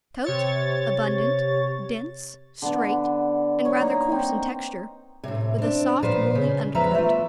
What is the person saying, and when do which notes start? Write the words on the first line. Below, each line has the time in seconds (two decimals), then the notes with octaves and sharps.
COAT--Abundant, dense, straight, and rather coarse in texture, with a soft woolly undercoat.
0.24 C3 C#5 A6
2.62 D3 B3
3.65 C#5
3.80 A#3 D#4
4.12 C4
5.24 A2 C3
5.58 C4 D4
6.02 A#2 F3 B4 C5
6.35 C#3
6.74 E2 F3 B4 E5 A#5
6.95 A3 F4